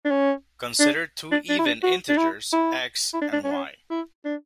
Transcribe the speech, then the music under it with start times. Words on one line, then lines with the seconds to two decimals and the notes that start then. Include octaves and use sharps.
Consider two even integers "x" and "y".
0.05 D4
0.11 C#4
0.80 D4
1.31 D4
1.49 D4
1.59 E4
1.66 D4
1.83 F#4
2.09 D4
2.17 E4
2.52 E4
3.14 E4
3.21 D4
3.33 D4
3.44 C#4
3.51 D4
3.56 C#4
3.90 E4
4.25 D4